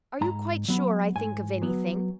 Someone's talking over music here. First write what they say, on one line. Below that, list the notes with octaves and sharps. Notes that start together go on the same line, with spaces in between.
"Are you quite sure I think of anything?"
G#2 A#5
F#3 B3
G#2 G#5
F#3 B3